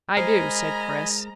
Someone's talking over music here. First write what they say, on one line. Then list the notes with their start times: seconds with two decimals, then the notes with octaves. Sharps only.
"I do," said Chris.
0.17 G#3 A#4 C5 D#5 G#5 A#5 B5